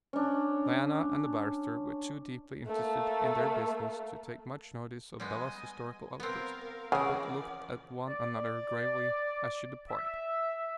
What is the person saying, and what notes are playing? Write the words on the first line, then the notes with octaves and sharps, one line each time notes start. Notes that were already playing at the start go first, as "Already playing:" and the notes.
Diana and the barrister were too deeply interested in their business to take much notice of Bella's hysterical outburst, but looked at one another gravely as she departed.
C#4 D4
A3 A#3
G3 G#3 B3 D#5 G#5
B3 C4 A#4 F5
C#3 E3 F3 A#4 D5 F#5
D5
E5